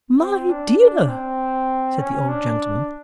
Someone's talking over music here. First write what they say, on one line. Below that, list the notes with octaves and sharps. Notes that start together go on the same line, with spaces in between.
'My dear,' said the old gentleman.
C4
D4
D4
C4
C#4
D4